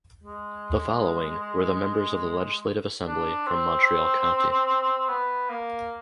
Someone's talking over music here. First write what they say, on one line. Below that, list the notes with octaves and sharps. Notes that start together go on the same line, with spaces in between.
The following were the members of the Legislative Assembly from Montreal County.
G#3
D4
C4
B3
A#3